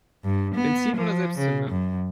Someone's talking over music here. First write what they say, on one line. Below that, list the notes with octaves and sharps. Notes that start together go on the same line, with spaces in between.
Benzin oder Selbstzünder?
G2
B3
F3
C#3
F#2